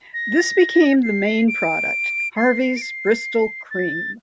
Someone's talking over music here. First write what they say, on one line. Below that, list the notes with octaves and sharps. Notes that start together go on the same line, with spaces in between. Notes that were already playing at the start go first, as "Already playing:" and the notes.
This became the main product: Harveys Bristol Cream.
A#6
C7
D7
C7
D7
C7
A6